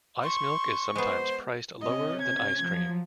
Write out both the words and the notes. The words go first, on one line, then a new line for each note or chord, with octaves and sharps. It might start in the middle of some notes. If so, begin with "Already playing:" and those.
Ice milk is sometimes priced lower than ice cream.
C6 C#6
G#3 B3 C5
C3 C#4 D#5
G#6
F3 F#3